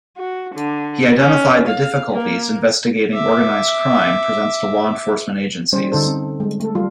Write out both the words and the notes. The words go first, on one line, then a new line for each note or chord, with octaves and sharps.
He identified the difficulties investigating organised crime presents to law enforcement agencies.
F#4
D3
C#4
F5
A#3
E5 D6
G3 C#4 C5
D3 D#4 A4 C5
C4
G3 G#3
A3 A4
F#3 G3 F4